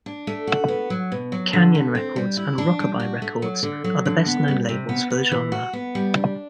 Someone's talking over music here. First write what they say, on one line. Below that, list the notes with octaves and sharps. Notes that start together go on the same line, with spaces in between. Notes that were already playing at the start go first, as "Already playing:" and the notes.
Canyon Records and Rock-A-Bye Records are the best known labels for the genre.
D4
A3
F#4
B3
F#3
B2
F#3
D3
A3
C4
G3
E4
D4
G3
F#4
A3
F#3
D3
F#3
D3
B3
G3
C3
B3
B3
E3
F#4
B3
G3
D4